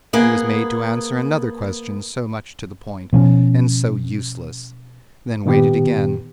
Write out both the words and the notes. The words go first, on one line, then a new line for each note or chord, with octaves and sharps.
He was made to answer another question so much to the point and so useless, then waited again.
A#3 B3 G#4 F#5
B2 F3 C#4
A#2 D#3 B3 G4